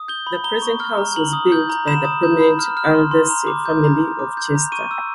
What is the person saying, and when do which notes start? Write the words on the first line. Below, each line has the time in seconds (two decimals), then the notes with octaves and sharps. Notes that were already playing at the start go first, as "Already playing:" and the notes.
The present house was built by the prominent Aldersey family of Chester.
Already playing: D#6
0.08 G6 G7
0.27 B5
0.44 A#5 G7
0.62 C#6
0.80 F6
0.98 A#5
1.16 A#5 F#7
1.33 D#6
1.52 G6
1.70 A#5
1.87 B5 E7
2.05 D#6
2.23 G6
2.40 B5
2.59 F6
2.77 F6
2.94 C6
3.11 C6
3.30 A#5
3.47 D6
3.66 G6
3.84 A#5
4.01 A#5
4.19 D6
4.37 G6
4.55 A#5
4.72 C#6 D#7
4.91 E6